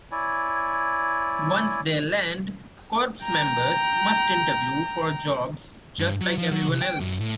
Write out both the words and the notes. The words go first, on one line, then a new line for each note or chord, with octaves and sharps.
Once they land, corps members must interview for jobs just like everyone else.
E4 C#5 D5 G#5
G5 A#5
G2
F#3
F3
F#3
C2
G5
F#2
A2